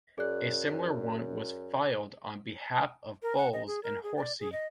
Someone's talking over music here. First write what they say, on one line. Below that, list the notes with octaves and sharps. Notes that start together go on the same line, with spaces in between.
A similar one was filed on behalf of Bowles and Horsey.
F#2 G#4 D5 F#6
A#4
F#5
D#5
G#4
A#4
G#4
D5
G#4
D#5